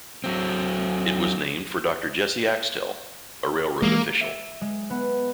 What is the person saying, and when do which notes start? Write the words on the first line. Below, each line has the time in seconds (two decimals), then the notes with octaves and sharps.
It was named for Dr. Jesse Axtell, a railroad official.
0.24 F#3 C4
3.82 E3 G#3 A#3
4.21 E5
4.61 G#3
4.90 B3